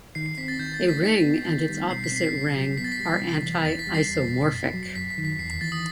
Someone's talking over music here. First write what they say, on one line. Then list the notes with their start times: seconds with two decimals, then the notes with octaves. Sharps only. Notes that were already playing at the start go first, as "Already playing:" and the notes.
A ring and its opposite ring are anti-isomorphic.
0.15 D#3 C7
0.26 C7
0.38 C4 B6
0.48 A6
0.59 D#3 G6
0.74 A6
0.81 A3
0.88 B6
1.03 D#4 B6
1.25 B3
1.47 D#3
1.69 G3
1.90 B2 C7
2.04 B6
2.12 C4 C7
2.34 B2
2.56 F#3
2.78 B3 B6
2.84 A6
2.92 B6
3.00 G3
3.21 C3
3.43 E3
3.65 E2 A6
3.79 B6
3.87 G3
3.95 C7
4.09 E2
4.30 B2
4.52 F#2
4.74 F#3
4.95 F#2 B6
5.10 B6
5.18 D#3
5.25 B6
5.39 E2 C7
5.51 B6
5.61 E3 A6
5.72 D#6